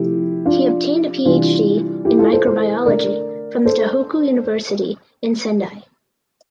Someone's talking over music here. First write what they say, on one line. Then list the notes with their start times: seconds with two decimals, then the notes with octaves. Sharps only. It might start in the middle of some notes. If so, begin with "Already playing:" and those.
He obtained PhD in microbiology from the Tohoku University in Sendai.
Already playing: C3 F3 A3 E4 G4
0.46 D4 F4
1.25 C3 E3 G3 D4 F4
2.05 E4 G4
2.19 F4 A4
2.32 A4 C5
2.45 A4 C5
2.85 D3 A3 A#4 D5
3.65 A4 C5